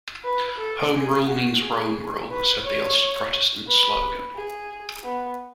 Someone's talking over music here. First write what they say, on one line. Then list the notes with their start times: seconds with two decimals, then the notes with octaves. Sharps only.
"Home Rule means Rome Rule" said the Ulster Protestant slogan.
0.24 B4
0.58 A4
0.93 G#4
1.27 F#4
1.61 G#4
2.30 B4
2.64 C#5
3.66 B4
4.35 G#4
5.04 B3